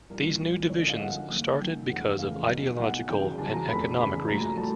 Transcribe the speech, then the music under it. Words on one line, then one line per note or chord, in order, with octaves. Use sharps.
These new divisions started because of ideological and economic reasons.
C2 A#2 F3 A#4
C2 A#2 F3
G#1 F#2 D3 F3 C#5
D#5
F5
G#1 F#2 D3 F3 F#5
F#1 F#2 D#3
F#1 F#2 D#3 G5
F1 E2 C#3 F#5
F1 E2 C#3 F5
B1 B2 F#3
B1 B2 F#3 F#5
E2 C#3 F#3 G5
E2 C#3 F#3 A5
A#5
F1 E2 C#3 B5
F1 E2 C#3 B5
A#1 A2 F#3 A#5
A#5
A2 F#3 A5